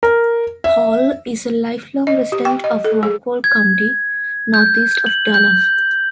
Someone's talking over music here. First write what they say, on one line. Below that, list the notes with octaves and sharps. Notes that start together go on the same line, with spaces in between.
Hall is a lifelong resident of Rockwall County, northeast of Dallas.
A#4
E5
D#5
G4
G5
D#5
A4
G#4
G#6
G6
F#7
G6